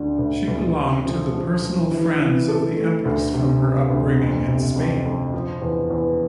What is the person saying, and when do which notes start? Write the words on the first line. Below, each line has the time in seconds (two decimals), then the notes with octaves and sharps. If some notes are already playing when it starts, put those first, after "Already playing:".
She belonged to the personal friends of the empress from her upbringing in Spain.
Already playing: D2 D3
0.19 D2
0.48 D2
0.77 G4
1.05 F3
1.34 F3
1.62 F3
1.91 E3
2.19 E3
2.48 A4
2.77 A3
3.05 D2
3.34 C3
3.63 C3
3.90 D2
4.20 F2
4.48 C3
4.76 F2
5.05 F2
5.34 F3
5.62 E2
5.91 E2